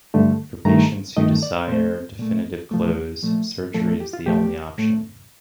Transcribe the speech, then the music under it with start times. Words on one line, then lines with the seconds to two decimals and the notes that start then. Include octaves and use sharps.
For patients who desire definitive close, surgery is the only option.
0.14 G2 D3 A3
0.65 G2 D#3 A3 A#5
1.17 G2 D#3 A3 D#5
1.43 D5
1.68 A#2 A3 C5
2.19 A#2 A3
2.71 A#2 F3 A3
3.23 A#2 F3 A3
3.74 A#2 F3 A3 A4
3.87 A4
4.00 G4
4.13 F4
4.26 A#2 F3 A3 G4
4.78 A2 A3